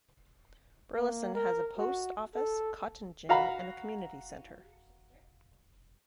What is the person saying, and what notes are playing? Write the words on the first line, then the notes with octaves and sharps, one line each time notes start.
Burlison has a post office, cotton gin, and a community center.
A#3
A#4
F#4
A4
F#4 F5 A#5 B5